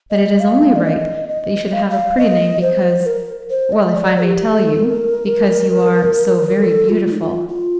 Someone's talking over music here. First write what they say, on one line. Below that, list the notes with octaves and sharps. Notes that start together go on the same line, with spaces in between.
"But it is only right that you should have a pretty name, because--well, if I may tell you, because you are so very beautiful."
D#5
F5
D5
D#5
D#5
F5
F5
D#5
C5
A#4
C5
D#5
D5
G4
A4
A#4
A4
F4
D#4
F4
F4